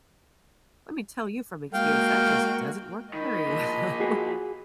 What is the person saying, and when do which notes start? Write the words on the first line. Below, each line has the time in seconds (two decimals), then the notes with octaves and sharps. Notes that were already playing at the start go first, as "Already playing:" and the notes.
let me tell you from experience, that just doesn't work very well.
1.74 G#3 A#3 F#4 F5 G5
3.13 D#3 D#5 B5
3.46 F3 A#3
4.00 F#4 G#4